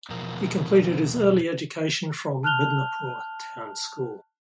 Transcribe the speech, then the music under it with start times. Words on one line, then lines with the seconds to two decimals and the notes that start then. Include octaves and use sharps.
He completed his early education from Midnapur Town School.
0.10 E2 B2 F3 A#4
2.43 A5 F6 F#6 F7 G7